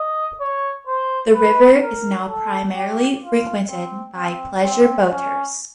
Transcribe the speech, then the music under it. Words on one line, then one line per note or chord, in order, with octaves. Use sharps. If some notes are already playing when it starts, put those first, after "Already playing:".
The river is now primarily frequented by pleasure boaters.
Already playing: D#5
C#5
C5
B4
A#4
A4
G4
F4
C4
C4
C4
C#4